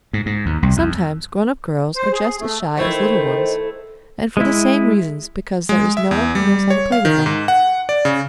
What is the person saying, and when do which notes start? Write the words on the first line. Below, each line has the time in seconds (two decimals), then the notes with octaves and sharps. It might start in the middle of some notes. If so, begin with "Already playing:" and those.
Sometimes grown-up girls are just as shy as little ones--and for the same reasons because there is no one who knows how to play with them.
0.13 G#2
0.26 G#2
0.46 D#2
0.63 C2
0.77 F2
1.96 C5
2.12 G#4
2.41 A3
2.77 D#3 A3 E4 C5
4.37 G#3 E4
5.69 G#3
5.97 E5
6.11 E2
6.35 G3
6.70 C#5
6.92 F5
7.05 D#3
7.26 G#2
7.48 F#5
7.89 D5
8.05 C#3